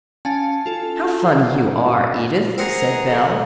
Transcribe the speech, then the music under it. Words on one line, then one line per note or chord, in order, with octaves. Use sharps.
"How funny you are, Edith," said Belle.
C#4 F5 G#5 A5 A6
F4 A4
F#5 A#5
C4 G#4 A#4 F#5 A#5
A4 F5